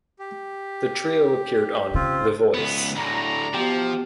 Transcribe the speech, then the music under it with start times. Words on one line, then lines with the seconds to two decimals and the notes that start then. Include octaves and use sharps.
The trio appeared on "The Voice".
0.19 G4
1.95 C#3 C4 F4
2.54 C#2 B3
2.96 D2 A2 D5 A#5
3.54 B2 F3 G4